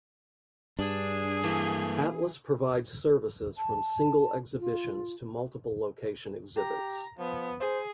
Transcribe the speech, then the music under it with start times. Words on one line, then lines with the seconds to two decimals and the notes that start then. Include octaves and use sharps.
Atlas provides services from single exhibitions to multiple location exhibits.
0.79 G2 D4 G#4
1.44 E3 A#3 A4
3.58 A5
4.60 F4
6.56 G4 A#5
7.19 F3 B3
7.60 G#4 C5